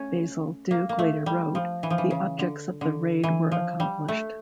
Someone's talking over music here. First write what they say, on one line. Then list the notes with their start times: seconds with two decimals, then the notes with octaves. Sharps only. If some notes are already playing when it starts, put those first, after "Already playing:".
Basil Duke later wrote, The objects of the raid were accomplished.
Already playing: A3 C#4
0.71 A#3
0.89 A#3
0.99 A3
1.26 G3
1.55 F3
1.83 E3
1.90 F3
1.98 E3
2.11 C#3
2.39 D3
2.81 D3
3.24 E3
3.52 F3
3.80 G3
4.08 A3